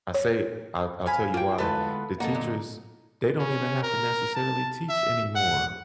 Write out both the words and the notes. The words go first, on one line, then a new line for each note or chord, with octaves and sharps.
I say I'll I'll tell you why. The teachers, they don't even have to necessarily teach anymore.
C#5
F5 G#5 B5
A#3 F4 G5
D2 G#3 B3 E4 F4 A4 B4
F#2 D3 A#3 D#4 A4 F#5
A#2
C#4
A#4
A5
E5
F#5